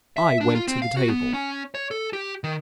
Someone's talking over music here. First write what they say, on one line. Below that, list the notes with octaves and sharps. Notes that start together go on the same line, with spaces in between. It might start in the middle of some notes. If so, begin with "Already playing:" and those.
I went to the table.
E5
D4
F4
C4
F5
F#4
B3
C#4
C#5
A4
G4
D#3